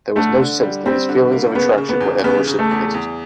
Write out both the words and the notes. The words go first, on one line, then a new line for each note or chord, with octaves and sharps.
There was no sense that his feelings of attraction were ever reciprocated.
D3 A3
D3
G3
G3 C4
D3
A#3
C#3 B3
C#3
B3
E2
C#3 B3
C#3
A3
E2
E2